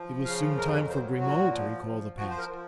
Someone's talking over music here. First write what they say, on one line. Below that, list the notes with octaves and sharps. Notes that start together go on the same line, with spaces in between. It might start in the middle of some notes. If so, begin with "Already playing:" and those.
It was soon time for Grimaud to recall the past.
Already playing: F3
C#3 F5
F2 A#4
A#4
F#3 C5
A#2 F#4
F3
F3
F3 F#4
C5
A#4
F3